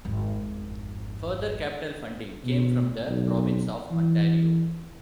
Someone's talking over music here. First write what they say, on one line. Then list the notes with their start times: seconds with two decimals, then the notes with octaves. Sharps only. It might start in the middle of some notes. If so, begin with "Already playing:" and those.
Further capital funding came from the Province of Ontario.
0.05 G#1 F2
2.45 B2
3.06 B1
3.91 E3